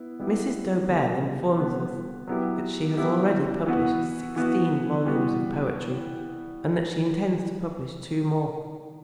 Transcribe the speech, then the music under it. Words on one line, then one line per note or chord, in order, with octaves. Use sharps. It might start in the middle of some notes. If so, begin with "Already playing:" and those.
Mrs. Dobell informs us that she has already published sixteen volumes of poetry and that she intends to publish two more.
Already playing: B3 E4
G3 B3 E4 G4
D3 G3 B3
D3 G3 B3
F#3 B3 E4 G4
F#3 B3 E4 G4
E3 B3 F#4
E3 B3 F#4
E3 G3 B3 F#4